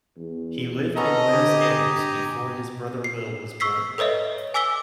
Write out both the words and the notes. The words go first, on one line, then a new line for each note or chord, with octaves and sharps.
He lived in Buenos Aires before his brother Will was born.
E2
B3 C#4 A4 D#5 A#5
D3 G4 G#5 A#5 D6 D#6
C7
C#6 E6 B6 C7
A4 B4 C#5 D#5 E5
G#5 D6 E6 B6 G7